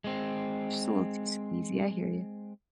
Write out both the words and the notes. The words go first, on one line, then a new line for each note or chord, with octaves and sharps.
Just a little too skeezy, I hear you.
G#3 C4